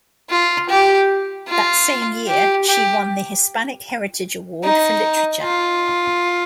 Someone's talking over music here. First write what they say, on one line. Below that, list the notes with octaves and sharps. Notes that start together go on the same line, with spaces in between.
That same year, she won the Hispanic Heritage Award for Literature.
F4
G4
F4
G4
G4
D#4
F4